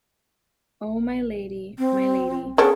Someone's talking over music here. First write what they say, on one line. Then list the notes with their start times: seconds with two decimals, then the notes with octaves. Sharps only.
Oh, my Lady, my Lady.
1.78 C4
2.58 B3 C#4 D4 G#4